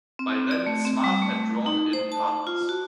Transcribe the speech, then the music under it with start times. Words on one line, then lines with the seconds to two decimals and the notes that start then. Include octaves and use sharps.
By then, Smart had drawn in partners.
0.19 C4
0.51 D5
0.66 A3
0.85 C4
1.04 G3
1.22 A3
1.66 D#4
1.93 C5
2.12 A5
2.47 F4
2.69 F#4